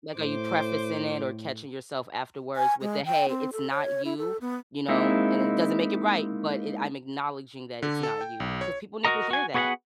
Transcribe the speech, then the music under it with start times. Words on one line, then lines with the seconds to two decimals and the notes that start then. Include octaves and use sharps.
Like, are you prefacing it or catching yourself afterwards with the, "Hey, it's not you," you know? And, "it doesn't make it right, but, it I'm acknowledging that it's not you," 'cause people need to hear that.
0.17 A2 C5 D6
2.56 G#5
2.81 G#3
3.06 G5
3.28 C4
3.53 A4
3.70 C#5
4.05 E4
4.18 A4
4.41 B3
4.88 G#3 A#3 C4 D#4 E4
7.82 D3
8.03 A4
8.21 G5
8.40 B1
8.61 C#5
9.05 F#4 A#4 D#5 A#5
9.31 F#4 G#5
9.54 B3 F#4 G#4 B4 E5 F#5